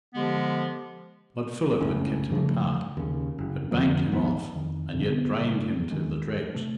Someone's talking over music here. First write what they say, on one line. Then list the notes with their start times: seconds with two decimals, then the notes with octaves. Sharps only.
But Philip had kept him apart, had banked him off, and yet drained him to the dregs.
0.15 D3 F3 G#3 B3 G4
1.81 F#1 C#2 A2 C#4
2.32 C#3 F3 G3 A3
2.97 D#2 C#3
3.38 F#1
3.71 F2 D3 F3 A#3
4.11 G#1 D#2 F3 B3
4.56 F2 D#3
4.93 B1 F2 B2 D3
5.06 D2 B3
5.39 C#3 G3
5.91 D#1 B1 D#3 G#3
6.54 C3 A3